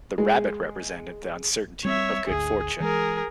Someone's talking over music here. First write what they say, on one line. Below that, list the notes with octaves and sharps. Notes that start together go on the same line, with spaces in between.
The rabbit represented the uncertainty of good fortune.
G#3
G3 C4 C#5 E5
G#1 D2 G#4
E3 G#3 G#4 A#4